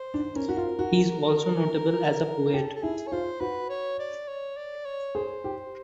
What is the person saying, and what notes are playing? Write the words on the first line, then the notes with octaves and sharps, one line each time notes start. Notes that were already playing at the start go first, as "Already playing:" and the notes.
He is also notable as a poet.
Already playing: C5
D4
C#4 A#4
F#4
F4
F#4
G4 A4
A4
E4 G#4
C#5
F4 C5
F#4 B4
C#5
D5
C#5
D5
C#5
G#4 C5
G4